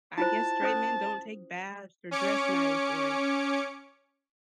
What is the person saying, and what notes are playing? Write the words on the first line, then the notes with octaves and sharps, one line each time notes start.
I guess straight men don't take baths, or dress nice, or
E4 F4 C5 A5
C#4 C5 D#6
C#4 C#5 D6 C#7